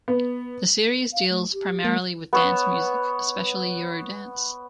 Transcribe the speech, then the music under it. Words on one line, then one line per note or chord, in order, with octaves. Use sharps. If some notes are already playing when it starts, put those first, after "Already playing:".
The series deals primarily with dance music, especially Eurodance.
B3
F5
A3
G4
G#3 A#3
B3 C#5 E6